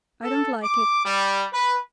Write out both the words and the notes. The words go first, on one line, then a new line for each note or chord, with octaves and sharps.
I don't like it.
A4
D6
G3
B4